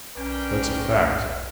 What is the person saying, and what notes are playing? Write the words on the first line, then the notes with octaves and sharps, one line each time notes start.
"That's a fact?"
B1 C#4 D4 A#4 B4 G5